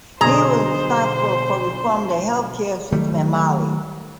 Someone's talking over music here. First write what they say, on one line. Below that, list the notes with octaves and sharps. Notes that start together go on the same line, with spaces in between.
He was responsible for reforming the healthcare system in Mali.
B1 D3 G#4 C5 D#5 A#5
D#3 F#3 G3 A3